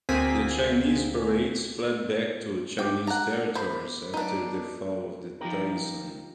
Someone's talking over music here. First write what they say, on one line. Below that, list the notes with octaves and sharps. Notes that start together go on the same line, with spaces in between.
The Chinese pirates fled back to Chinese territories after the fall of the Tayson.
D2 A#3 C4 G#4 G#5 B6
G#2 G4 G5 D6
F#5 A5 A#5
C5 B5
F#3 D4 D#4 B4
F3 D#4 G4 A#4